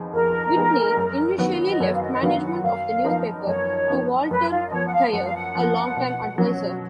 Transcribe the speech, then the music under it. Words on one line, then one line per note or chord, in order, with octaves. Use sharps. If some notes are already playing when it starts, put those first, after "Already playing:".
Whitney initially left management of the newspaper to Walter Thayer, a longtime advisor.
Already playing: F2 F3 B3 D#4 G#4
F2 A#4
F3 B3 D#4 G#4
F#2
D#3 F#3 B3 F#4
D#5
F#2 C#5
F5
D#5
D#5
D#3 F#3 B3 F#4 F5
F#5
F#2 F5
F3 B3 D#4 A#4
F#2 C#5
F3 B3 D#4 A#4
F#2 B4
F4
D#5
F3 B3 C#5
F#5
F5
F#2 F#5
F5
F#5
F3 B3
B2
F#3 C#4